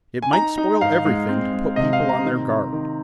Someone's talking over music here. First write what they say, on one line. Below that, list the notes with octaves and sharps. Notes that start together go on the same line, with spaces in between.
"It might spoil everything to put people on their guard."
G#5
D#4 A#5
D#4
G#2 F5
G#3
C4
G#3
C3 D#5
F5
C4
A#5
D#3
D#3
D#3